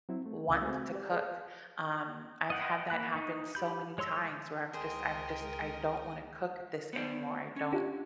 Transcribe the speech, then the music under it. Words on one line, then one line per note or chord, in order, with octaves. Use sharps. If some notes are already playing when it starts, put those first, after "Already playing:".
want t to cook, um, I've had that happen so many times where I'm just I'm just I don't wanna cook this anymore, I don't
F#3 C4 E4
A3
C#2 C#3 F5 D#6
G#3 A3 C4 F#4 C5 G#5
G4 D5
G#4 B4 D5
D#5 F#5 G5
A#3 B5 F#6
D#4
G4 B5 G6
G#3 C#5 C6 E6
C#2 G#3 G#4 A#4 C5 D#5 G5
B3 C5 D5
C#4
D4 F4 G4